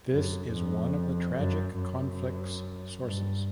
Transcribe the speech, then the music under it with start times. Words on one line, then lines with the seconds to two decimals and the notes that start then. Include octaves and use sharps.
This is one of the tragic conflicts sources.
0.10 F#2
0.51 F2
1.35 F#2
1.77 F#2
3.02 G2